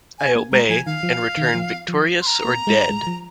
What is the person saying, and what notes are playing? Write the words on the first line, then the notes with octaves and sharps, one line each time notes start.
I obey, and return victorious or dead!
G#5
A#3
G#3 A#5
F3 G#5
D#3 F5
F3
D#3
F3
F3
C6
A#5
A#3
G#3
G#3
F3